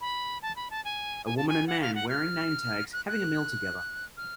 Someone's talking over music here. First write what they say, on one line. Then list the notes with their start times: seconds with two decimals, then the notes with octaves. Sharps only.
A woman and man, wearing name tags, having a meal together.
0.01 B5
0.42 A5
0.56 B5
0.71 A5
0.85 G#5
1.26 G#5
1.37 A5
1.49 G#5
1.67 F#5
1.81 F5
1.95 F#5
2.09 F6
2.93 F#6
3.08 F#6
4.17 F6